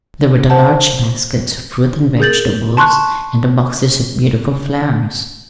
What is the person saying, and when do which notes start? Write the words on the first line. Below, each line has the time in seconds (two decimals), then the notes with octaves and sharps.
There were the large baskets of fruit and vegetables, and the boxes of beautiful flowers.
0.50 C5 F#5 A5
2.20 G#4 A#4 G6 A6 F#7
2.77 A5 C6 C#6 F#6